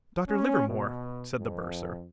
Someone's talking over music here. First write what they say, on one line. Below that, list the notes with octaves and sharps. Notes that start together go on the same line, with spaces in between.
"Dr. Livermore?" said the bursar.
C#4
B2
F2